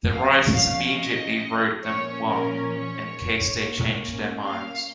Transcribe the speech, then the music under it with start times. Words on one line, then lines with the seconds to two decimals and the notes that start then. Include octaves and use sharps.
The writers immediately wrote them one, in case they changed their minds.
0.10 C#3 F3 C#4 F5
0.54 F5
0.97 D#5
1.84 A#2 F3 C#4 C#5
2.27 A#4
2.70 C#5
3.57 A#2 A#3 C#4
4.44 F5